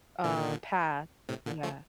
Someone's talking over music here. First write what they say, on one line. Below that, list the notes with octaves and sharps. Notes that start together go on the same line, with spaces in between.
uh, path. Yeah.
A#2 D3
A2 C3
A#2 D3
F3 A3